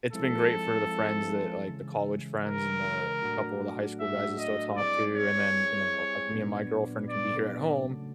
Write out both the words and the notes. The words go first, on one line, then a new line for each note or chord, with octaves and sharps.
it's been great for the friends that, like the college friends and the a couple of the high school guys I still talk to, and then, you know, like, me and my girlfriend can be here at home.
F3 G#3 C4 E4 A4
C#3 E3 G#3
A#4
A2 F#3 A3 D4 F#4
E5
D#5
G3 C4 E4 G#4 D5
C#5
A#2 F#3 B3 D4
D5
C#3 F#3 A3